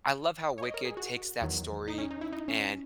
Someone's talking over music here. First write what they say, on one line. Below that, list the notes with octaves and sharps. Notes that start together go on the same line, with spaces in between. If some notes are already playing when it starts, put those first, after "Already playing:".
I love how Wicked takes that story and
C#5
D#5
A#4
G#4
F#4
E2 D#3 F#3
D#4
C#4
D#4
E4
D#4
C#4